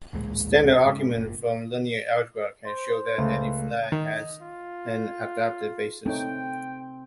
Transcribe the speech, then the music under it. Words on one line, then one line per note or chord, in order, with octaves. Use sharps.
Standard arguments from linear algebra can show that any flag has an adapted basis.
A1 D2 A#2 G#3
G#2 C#3
F#1 A#2
C5
C#2 A3
D#3 D#5
F4
A3 C4 D#4 C#5 G5